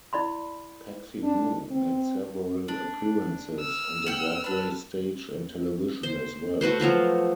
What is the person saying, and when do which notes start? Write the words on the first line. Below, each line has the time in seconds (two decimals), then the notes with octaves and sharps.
Paxinou made several appearances on the Broadway stage and television as well.
0.13 E4 D5 B5 C6
1.23 D4
1.71 C4
2.68 D4
3.60 E6 F6
4.06 F#5 G5
4.44 D4 B4
6.03 C5
6.61 A3 F#4 B4 C5
6.80 F3 F#3 F4 F#4